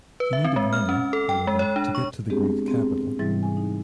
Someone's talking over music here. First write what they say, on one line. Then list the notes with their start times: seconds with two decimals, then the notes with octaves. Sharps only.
He needed money, however, to get to the Greek capital.
0.20 B4
0.33 E5
0.44 C4
0.56 G#3
0.73 F6
0.89 C#4
1.13 A4
1.29 G5
1.47 G#3
1.59 C#5
1.76 D4
1.95 C#6
2.30 G#3 B3 C4 D4 G4 G#4
2.66 B3 C4 G4 G#4
3.19 G#2 C3 E3 G3 E4 A6
3.43 G#5
3.57 D#4